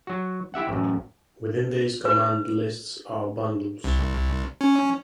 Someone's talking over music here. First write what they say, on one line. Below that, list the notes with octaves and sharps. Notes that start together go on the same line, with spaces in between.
Within these command lists are bundles.
F#3 F#4
E4 G4 E5 F#5
A1 F#2
B4
C2
C#4